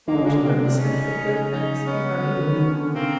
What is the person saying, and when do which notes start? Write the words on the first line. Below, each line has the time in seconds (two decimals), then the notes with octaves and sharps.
Putting on his hat with both hands, he hurried off.
0.07 D#3 G#3 A#3
0.14 D3
0.21 C#3
0.24 D3 G#3 A#3
0.42 C3 A#3 C4
0.61 C4 D4
0.78 C#3 C#4 D#4
1.50 C#4 D#4
1.86 B3 C#4
2.23 D3
2.47 D#3
2.71 D3
2.94 C3 A#3 C4